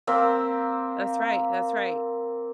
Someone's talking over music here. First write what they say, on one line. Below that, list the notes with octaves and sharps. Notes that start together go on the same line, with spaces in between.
That's right, that's right.
A#3 C4 C5 E5